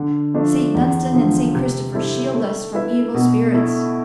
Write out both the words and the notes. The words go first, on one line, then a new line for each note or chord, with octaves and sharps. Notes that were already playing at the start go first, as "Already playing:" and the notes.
"Saint Dunstan and Saint Christopher shield us from evil spirits!"
Already playing: D3
F3 A3 D4
E2
D3 F3 C4
C3
G3 C4 E4 A4
A3
E4 B4 E5
B2
A3 E4